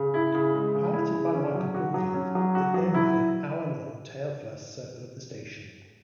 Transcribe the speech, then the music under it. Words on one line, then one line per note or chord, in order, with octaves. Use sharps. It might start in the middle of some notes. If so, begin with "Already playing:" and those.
Piloted by Michael Bloomfield, it then made an hour-long, tail-first circle of the station.
Already playing: C#3
E4
C#3
G#3
C#3
E4
C#3
C#4
F#3
F#4
F#3
C#4
F#3
F#4
F#3
E4